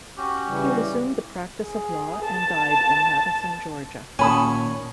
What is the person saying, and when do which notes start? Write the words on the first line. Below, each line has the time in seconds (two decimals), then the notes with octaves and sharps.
He resumed the practice of law and died in Madison, Georgia.
0.17 C#4 F#4 G4
0.48 C#3 E3 G3
1.64 G#4
2.25 A5
4.19 A#2 D#3 C#4 G#5 A5 B5 D#6